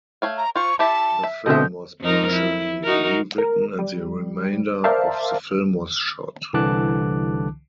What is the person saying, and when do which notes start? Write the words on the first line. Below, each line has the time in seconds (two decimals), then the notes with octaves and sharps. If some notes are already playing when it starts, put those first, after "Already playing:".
The film was partially re-written and the remainder of the film was shot.
0.22 A3 C#5 F5
0.38 A#5
0.56 F4 C5 C#6
0.79 E4 G4 E5 A5
1.23 E5
1.46 B2 D3 C4 D#5 E5 G6
2.01 F2 D#4 A#4
2.32 E4
2.84 D#4 F#4 A#4
3.38 A#4
3.79 G3
4.84 A#4 C5 D5 E5 F5 A5
6.53 C2 D3 E3 A5 D6 F#6